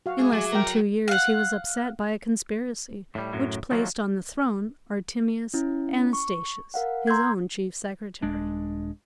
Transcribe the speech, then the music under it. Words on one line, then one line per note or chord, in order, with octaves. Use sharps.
In less than two years he was upset by a conspiracy which placed on the throne Artemius Anastasius, his own chief secretary.
F#4 F5
G#3 G#4 E5 D6
F#3
A#4 G5 A#5
F5 F#5
A2 G3
F#2 A2 F#3
D#3 F3 F#3 A3 A#3
C#4 E4
C#6
A#4 F5 F#5
A#5 C6 E6 G6 G#6
D#1 G#3 D4